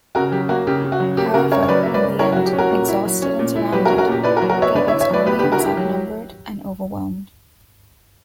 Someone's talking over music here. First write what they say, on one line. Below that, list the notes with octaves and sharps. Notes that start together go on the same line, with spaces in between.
However, in the end, exhausted and surrounded, Gaebaek's army was outnumbered and overwhelmed.
C#3 F#4 A#4
F#3 G4
A#3 F#4
C#3 G4
C#3
F#4
F#3
A#3 G4
C#3 F#4 A#4
C#3 A#4 C#5
C#5
F#3 B4 D5
A#3 E5
B4 D5
C#3
E4 A#4 C#5
F#4
F#3
G4
C#4
F#4 A#4
A#2
E4
F#3
C#4
A#2
E4
F#3 G4 B4
F#4 A#4
C#4
F#4 A#4
A#2 G4
E4 B4 D5
F#4 A#4
F#3
F#4 A#4
B3 C#5 E5
D3 B4 D5
C#5 E5
E4
C#5 E5
F#3 B4 D5
B3 G4 B4
G4 B4
D3
F#4 A#4
E4 G4
F#3